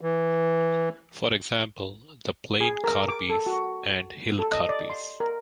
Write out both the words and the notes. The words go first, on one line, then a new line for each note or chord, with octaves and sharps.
For example, The Plain Karbi's and Hill Karbi's.
E3
G#4
A#4
D6
A4
F#4
A4
D#5
D5
C6
A#4